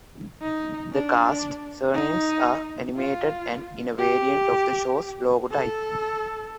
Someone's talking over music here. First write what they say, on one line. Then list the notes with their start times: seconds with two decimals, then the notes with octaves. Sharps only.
The cast's surnames are animated and in a variant of the show's logotype.
0.42 D#4
0.93 D4
1.94 D#4
2.97 F4
3.98 G4
5.51 A4